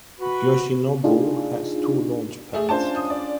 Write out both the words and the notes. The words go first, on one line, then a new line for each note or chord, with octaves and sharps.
Yoshinobu has two launch pads.
F#4 B4 B5
D4 D#4 F4 G#4
A3 G#4
C#4 D4 F4 C5 A5
D#6
D5